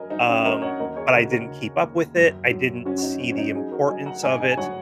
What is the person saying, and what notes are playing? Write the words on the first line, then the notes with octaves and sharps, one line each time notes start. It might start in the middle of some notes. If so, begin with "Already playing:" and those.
um, but I didn't keep up with it, I didn't see the importance of it,
Already playing: F#3 A#4 D#5 G#5
F#3 D#4
C#4 F#4
F#3 A#4 D#5
C#5 F#5
D#2 A#4 D#5
G#4 C#5
C#3 F#4 A#4
F#4 A#4
C#3
D#2
F#2
F#3
F#3 C#4 F#4
F#4
D#4
F#3 C#4
C#4
D#4
F#3 D#4 G#4
F#4 A#4
F#3 D#5 G#5
F#5 A#5
G#2 D#5 G#5
D#5 G#5
G#5
F#3 C#5 F#5